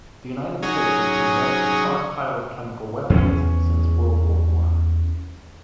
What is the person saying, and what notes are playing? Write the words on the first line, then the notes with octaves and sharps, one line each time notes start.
The United States has possessed a stockpile of chemical weapons since World War One.
F#3 C#4 D#4 G#4
E2 C4 C#4